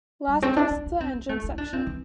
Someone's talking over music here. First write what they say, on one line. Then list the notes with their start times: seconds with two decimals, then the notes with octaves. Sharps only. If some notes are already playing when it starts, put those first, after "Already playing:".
Last was the engine section.
0.28 G3
0.42 C4
0.56 D4
0.71 D4
0.86 D4
1.00 C4
1.14 C4
1.29 A3
1.44 E4
1.58 D4
1.73 C4
1.86 E3